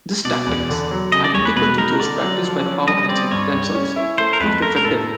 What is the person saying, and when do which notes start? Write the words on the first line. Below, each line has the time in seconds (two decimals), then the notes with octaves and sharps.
These tactics, identical to those practiced by the Powhatan themselves, proved effective.
0.25 B2 D5
0.46 E2
0.70 D3
0.91 F#3
1.12 C#3 D#5
1.24 D5
1.35 E2 C#5
1.45 B4
1.56 B2 B4
1.78 D#4 A#4
2.00 D3 D5
2.22 F#3
2.44 F3
2.66 C#4
2.88 G3 D#5
3.09 C4 D5
3.31 G2 C#5
3.53 G2
3.75 C#4
3.96 E4
4.18 A3 C5
4.33 A#4
4.40 F2 B4
4.62 A3 A#4
4.76 A#4
4.85 A2 A4